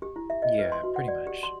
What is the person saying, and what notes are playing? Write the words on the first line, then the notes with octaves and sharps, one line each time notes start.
Yeah, pretty much.
G4
E4
E5
D#5
B4
C6
F#4
F#5
D5
G4
C6